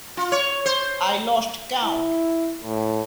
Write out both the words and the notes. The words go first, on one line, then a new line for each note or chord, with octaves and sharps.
I lost count.
F4
C#5
C5
E4
A2